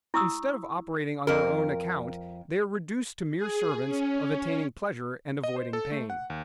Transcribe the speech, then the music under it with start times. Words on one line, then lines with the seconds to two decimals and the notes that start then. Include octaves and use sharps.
Instead of operating on their own account they are reduced to mere servants of attaining pleasure and avoiding pain.
0.14 E4 C#6 D#6 E6
1.27 F2 A#4
3.37 G#4
3.86 C#4
5.43 D#5
5.56 C5
5.73 A4
5.92 A3
6.10 F#5
6.30 D#2